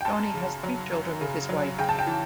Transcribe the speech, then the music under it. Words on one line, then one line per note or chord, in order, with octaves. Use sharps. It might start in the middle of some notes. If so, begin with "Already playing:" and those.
Johnie has three children with his wife.
G5
F#2 A5
C#3
F#3
F#2
C#3
F#3
C#3 G5
A5
G5
E3